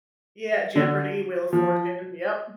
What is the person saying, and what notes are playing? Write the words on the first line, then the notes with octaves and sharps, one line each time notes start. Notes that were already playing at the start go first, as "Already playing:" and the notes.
Yeah, Jeopardy, Wheel of Fortune, yup.
D3
F3